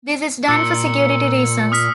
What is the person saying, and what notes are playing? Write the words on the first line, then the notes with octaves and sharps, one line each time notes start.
This is done for security reasons.
A#2 E6 C#7
D#6 F6 B6